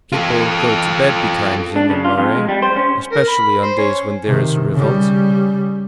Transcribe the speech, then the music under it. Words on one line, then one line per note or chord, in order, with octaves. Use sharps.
People go to bed betimes in the Marais, especially on days when there is a revolt.
F4 A4
D4
C#3
F4
F2
G#3
G3
C5
C#4
A#4
B5
C5
C#4
C3 D#3
C#3 G3